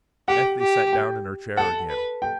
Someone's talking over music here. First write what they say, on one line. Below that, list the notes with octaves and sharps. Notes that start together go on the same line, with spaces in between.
Ethne sat down in her chair again.
G4 F#5
G4
G5
A4 F#5
B4
G5